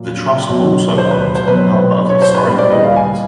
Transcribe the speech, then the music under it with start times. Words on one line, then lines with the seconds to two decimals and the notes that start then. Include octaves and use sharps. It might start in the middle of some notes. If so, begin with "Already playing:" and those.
The Trust also owns a number of historic buildings.
Already playing: A#2 F#3
0.49 B2 F#3
0.98 C5
1.11 B4
1.35 C5
1.47 B2 F#3 B4
2.10 C#5
2.22 C5
2.34 B4
2.46 A#2 G3
2.58 D5
2.71 D#5
2.83 F5
2.96 G#5